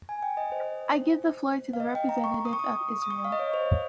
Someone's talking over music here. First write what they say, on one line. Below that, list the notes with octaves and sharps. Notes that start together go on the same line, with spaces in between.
I give the floor to the representative of Israel.
G#5
G5
D#5
C5
F5
D#5
G5
A#5
C#6
D#6
C#6
D#6
D#6
C#6
F5
D#5
C#5
C5